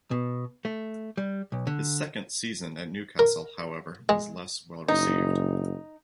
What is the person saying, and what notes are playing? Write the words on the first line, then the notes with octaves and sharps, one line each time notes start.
His second season at Newcastle however was less well received.
B2
A3
G3
B1
D3
A#4
G#3
F#1 D#4